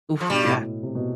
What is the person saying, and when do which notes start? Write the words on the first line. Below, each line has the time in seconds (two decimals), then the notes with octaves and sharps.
Oof. Yeah.
0.21 F3
0.30 G2 B2 G3
0.44 A2
0.57 B2
0.83 C3
0.95 B2